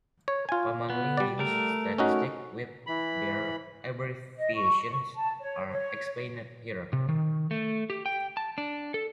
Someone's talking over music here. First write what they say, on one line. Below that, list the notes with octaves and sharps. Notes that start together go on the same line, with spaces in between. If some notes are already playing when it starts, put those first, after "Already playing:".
Commonly used statistics with their abbreviations are explained here.
C#5
F4 G#5
B3
G3 D5
A3 A#4
C#4 D#4 F#4
E3 B5
D#5
C#6
A5
C#5
C#5
C3
D#3
A3
G4
G5
A5
D4
A4